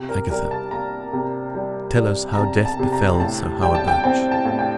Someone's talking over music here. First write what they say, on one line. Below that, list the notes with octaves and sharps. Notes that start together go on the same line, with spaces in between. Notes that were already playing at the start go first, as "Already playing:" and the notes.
"Agatha, tell us how death befell Sir Hawerburch."
Already playing: C3
A#4
G3 A#4
A5
A#3 A#5
C3
G3
G3
A#5
C3 A5
A5
C3
A#5
A2 A5
G3 G5
A5
G5
C4 G5
A5
A2
G5